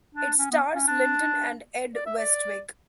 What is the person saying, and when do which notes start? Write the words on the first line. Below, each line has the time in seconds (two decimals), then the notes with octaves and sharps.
It stars Linton and Ed Westwick.
0.15 D4
0.39 C#4
0.51 B3
0.75 C#4
0.87 D4
1.95 D5
2.06 E5
2.18 D5